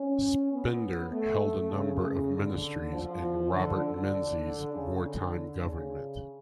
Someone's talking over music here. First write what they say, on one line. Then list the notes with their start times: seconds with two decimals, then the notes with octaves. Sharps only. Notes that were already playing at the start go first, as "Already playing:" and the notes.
Spender held a number of ministries in Robert Menzies' wartime government.
Already playing: C#4
0.52 B3
1.11 A3
1.71 C#3
2.31 D3
2.92 F3
3.51 D3
3.81 D3
4.72 C#3
5.02 D3
5.62 C#3